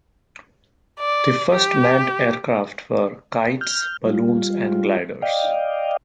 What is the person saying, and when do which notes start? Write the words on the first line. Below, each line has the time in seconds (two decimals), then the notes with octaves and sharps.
The first manned aircraft were kites, balloons and gliders.
1.00 D5
1.52 G4
3.61 F6 G6
4.05 G3 F4
5.22 D5 D#5 F5 G5